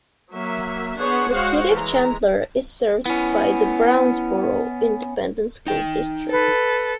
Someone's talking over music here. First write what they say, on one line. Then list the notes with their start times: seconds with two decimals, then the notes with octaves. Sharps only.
The City of Chandler is served by the Brownsboro Independent School District.
0.33 F#3 A#3 E5
0.98 B3 D4 G#4 C5 C#5 F#5
1.29 G#3 F#4 C5 C#5 F5 F#5
1.72 E3 G#3 A#5
3.06 B3 C#4 E4
5.67 D#4 G5
6.31 A4 B4